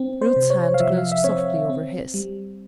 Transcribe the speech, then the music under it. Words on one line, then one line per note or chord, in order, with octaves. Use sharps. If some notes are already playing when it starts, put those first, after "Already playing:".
Ruth's hand closed softly over his.
Already playing: C4
C5
C3
C#5
F5
F3 E5
F5
E5
C4 C#5
C4
G3